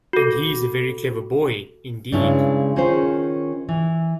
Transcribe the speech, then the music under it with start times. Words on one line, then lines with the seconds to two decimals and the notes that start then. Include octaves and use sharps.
And he is a very clever boy, indeed.
0.13 F#4 A4
2.12 G2 C#3 G#3 C#4 E4
2.76 D#3 C#4 F4 G#4 C5
3.69 E3